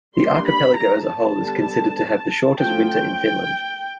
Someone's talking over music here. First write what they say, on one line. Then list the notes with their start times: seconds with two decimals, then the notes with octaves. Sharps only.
The archipelago as a whole is considered to have the shortest winter in Finland.
0.17 G3 A#3 D4 C6
0.47 B5
0.78 A#5
1.08 A5
1.39 D3 G3 B3
2.61 F3 A3 C#4 G5
2.91 G5